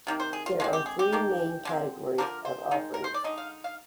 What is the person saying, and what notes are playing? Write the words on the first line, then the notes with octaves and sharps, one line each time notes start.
There are three main categories of offerings.
C3 D#3 A#3
C5
G#4
F4
D3 G#3 C4 F4
G4
G#4
G4
D#3 A#3 D4
D3 G#3 C4
D3 F3 A#3 D4 A#4
C5
D#3 G#3 D#4
A#4
C5
D5
D3 G#3 D#4 D#5
F5
F5